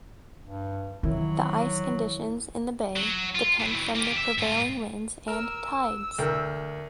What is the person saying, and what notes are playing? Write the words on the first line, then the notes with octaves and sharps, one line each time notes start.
The ice conditions in the bay depend from the prevailing winds and tides.
G2
F2 D#3 E3 F#3 E4
F#3
F4
E3 F#3
A#3 G4
E5
G#2 F4
A#4 E6
D2 A4 A#4 G5